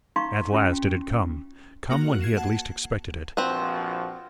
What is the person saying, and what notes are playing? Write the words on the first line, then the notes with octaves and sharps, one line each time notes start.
At last it had come--come when he had least expected it.
D#4 F5 A#5 C6 C#6
C#4 F4 G5
A#3 F#4 A#4 F#6
G#6 C7 E7
F#5 A5
A#1 F3 C4 F#4 B4